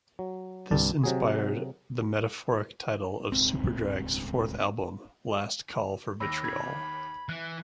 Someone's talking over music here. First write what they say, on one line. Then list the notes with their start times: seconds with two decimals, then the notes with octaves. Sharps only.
This inspired the metaphoric title of Superdrag's fourth album, "Last Call for Vitriol".
0.19 F#3
0.71 C2 G2 D5 A5
1.03 C3 F#3 G#4
3.32 D#1 C#2 G#2 C4
6.20 D#2 B5 E6 A#6
6.44 B5 G#6
7.29 E3 F#6